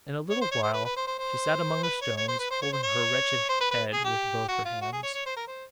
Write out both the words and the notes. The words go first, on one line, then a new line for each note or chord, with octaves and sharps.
In a little while she sat among the stones, holding her wretched head with both her hands.
C#5
C5
C#5
C5
B4
B4
C5
C5
C5
B4
C#5
C#5
C5
B4
C5
C#5
C5
C#5
C5
B4
B4
G#4
G4
F#4
F4
F#4
G#4
C#5
C#5
C5
A#4
C5